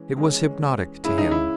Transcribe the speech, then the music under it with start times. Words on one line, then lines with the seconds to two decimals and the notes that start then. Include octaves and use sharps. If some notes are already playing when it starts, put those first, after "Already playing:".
It was hypnotic to him.
Already playing: E3 G#3 C#4
0.17 E3 G#3 C#4
1.04 C#3 G#3 C#4 E4 G#4
1.18 D#4
1.31 E4